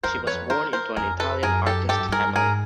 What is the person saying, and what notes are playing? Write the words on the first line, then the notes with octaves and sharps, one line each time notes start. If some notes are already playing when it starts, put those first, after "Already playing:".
She was born into an Italian artist family.
F#2 A#4 C5
F2
E2
F2 B4 C#5
A#4 C5
A#4 C5
F2 G#4 A#4
A4 B4
F#2 G#4 A#4
G4 A4
G2 G4 A4
F#2
G2 G#4 A#4
G#2 G#4 A#4